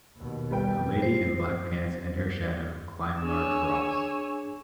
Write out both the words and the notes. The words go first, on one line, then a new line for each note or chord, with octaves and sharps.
A lady in black pants and her shadow, climb large rocks.
D#2 B2
G3 B4 G5
C5
D4 G#4 C#5 G#5 E6